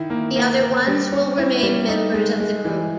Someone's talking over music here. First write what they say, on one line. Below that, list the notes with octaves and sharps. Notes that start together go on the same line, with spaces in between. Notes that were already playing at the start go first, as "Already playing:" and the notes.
The other ones will remain members of the group.
Already playing: D#3 E4
A#3
A#3
A#3
G3
C#4
E4
G3
D#4
G#3
G#3
E3